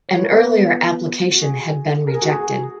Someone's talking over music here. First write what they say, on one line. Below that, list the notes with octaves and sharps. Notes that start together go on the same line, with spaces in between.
An earlier application had been rejected.
C#5
B4
A#4
B3 B4
F#4
G#4
A#4
G#4
F#4
G#4